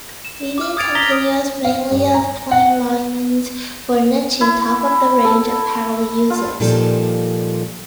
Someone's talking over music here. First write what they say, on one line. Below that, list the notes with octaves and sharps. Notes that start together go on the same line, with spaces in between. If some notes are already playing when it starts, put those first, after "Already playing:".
Weaving continues mainly of plain linens for niche, top of the range, apparel uses.
E7
D6 F6
D#6 F6 G#6 A6 D7 F7
A#5 D#6 A#6 B6 F7 G7
F5
G2
A#5
F#5
E4
A4
F4
A#2 D#3 F3 G3 F4 A4